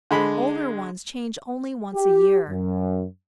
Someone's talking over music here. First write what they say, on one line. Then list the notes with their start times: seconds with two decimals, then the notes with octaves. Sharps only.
Older ones change only once a year.
0.11 D3 G#3 B5
1.95 G4
2.49 F#2